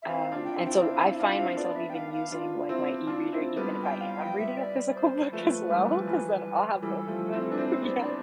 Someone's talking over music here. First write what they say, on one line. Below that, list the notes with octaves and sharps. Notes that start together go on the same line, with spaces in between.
um, and so I find myself even using, like, my e-reader, even if I am reading a physical book, as well, 'cause then I'll have both of them. Yeah,
E5
C4 E4 F5
D4 F4
G5
C4 E4
G5
D4
C4 E4 F5
C4 E4
D4 F4 F5
C4 E4
B3 D4 D5
E5
G5
F5
F5
D4 F4
C4 E4
D4 F4
C4 E4
G3 B3
G5
F5
G5
E5
D5
C5
F3 A3 B4
E3 G3
F3
E3 G3
E3 G3 A4
F3 A3
C4 E4
D4 B4
C4 E4 C5
C4
B3 D4
C5
D4 D5